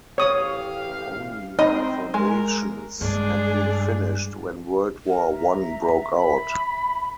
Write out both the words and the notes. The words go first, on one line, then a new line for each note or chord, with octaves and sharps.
Only the foundations had been finished when World War One broke out.
A1 G4 C#5 F5 D#6
C4 D#4 D#5
G#3 A#4
G2 G#3 D4 G#4
A#4
E5 A#5
B5